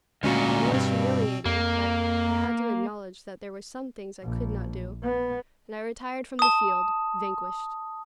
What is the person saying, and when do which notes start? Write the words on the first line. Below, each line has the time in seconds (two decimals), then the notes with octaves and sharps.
It was humiliating, but I had to acknowledge that there were some things I could not do, and I retired from the field, vanquished.
0.23 D2 A#2 G#3 C#4 F#4
0.71 D2 G2 B2 C4
1.46 F2 A#3
4.23 A#1
5.03 B3
6.39 A5 D#6